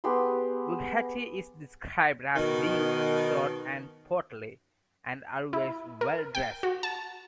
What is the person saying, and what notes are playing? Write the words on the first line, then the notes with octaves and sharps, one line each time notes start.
Bugatti is described as being short and portly, and always well dressed.
B3 G4 G#4 C6
B2 D#3
E4
A#4
G5
F#4
A5